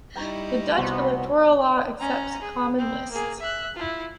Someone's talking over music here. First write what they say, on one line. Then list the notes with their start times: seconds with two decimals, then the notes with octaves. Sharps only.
The Dutch electoral law accepts common lists.
0.16 G3 D#4 E4 G5 A#5 C#6
0.77 C2 B3 F#4 C5 B5
2.00 C#4 A#5
2.42 G#4
2.78 C4
3.11 A#3 G#4
3.41 E5 F#6
3.77 E4 F4